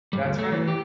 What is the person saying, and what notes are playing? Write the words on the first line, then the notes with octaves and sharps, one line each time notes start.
That's right.
G#2 G3
D2
A3
E3
G4